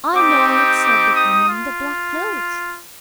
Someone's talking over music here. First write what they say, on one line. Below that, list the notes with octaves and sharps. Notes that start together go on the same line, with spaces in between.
"I know it!" said the woman in the black clothes.
C4 D#4 G4 D6
D6
D6
D#6
F4